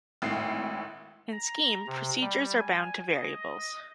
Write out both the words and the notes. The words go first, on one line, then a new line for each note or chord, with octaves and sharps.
In Scheme, procedures are bound to variables.
G#1 A2 C7
A#5
C3
G3
G#5
D#5